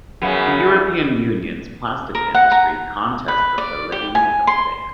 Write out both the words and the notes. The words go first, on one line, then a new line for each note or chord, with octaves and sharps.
The European Union's plastic industry contests the validity of the ban.
F#2 C#3 B3
A#4
F#5
A#5
B4
D5
G4
G#5
C6